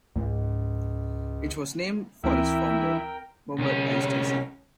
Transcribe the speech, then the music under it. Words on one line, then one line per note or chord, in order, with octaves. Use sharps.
It was named for its founder, Homer I. Stacy.
C#2 G#2
D2 E3 C4 E4 A#4 G5
C2 C#4